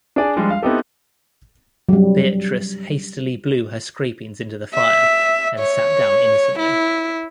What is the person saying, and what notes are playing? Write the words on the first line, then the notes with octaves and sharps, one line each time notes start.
Beatrice hastily blew her scrapings into the fire, and sat down innocently.
D4 G#4 D5 G#5
F3 G3 G#3 D4 F4
F5
B3 C4 D#4 E4 G4 A4
F#3 G3
E5
C#5
E4